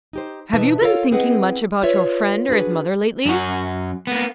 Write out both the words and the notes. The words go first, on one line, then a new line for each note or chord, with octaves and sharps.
"Have you been thinking much about your friend or his mother lately?"
D#4 G4 C5
B2 E3 D#4 B4 E5 A5
F4 A4 A#4 C#5 D5 F5
C4 E4 G#4 B4 D#5 F#5
F4 B4 C#5 D5 E5
D4 F#4 G#4 B4
F#2 F#4
A#3 B3